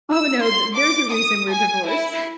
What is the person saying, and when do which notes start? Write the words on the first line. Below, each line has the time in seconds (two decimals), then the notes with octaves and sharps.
Oh, no, th there's a reason we're divorced.
0.13 E6
0.43 C6
0.76 D6
1.11 D#6
1.51 G#5
1.86 E4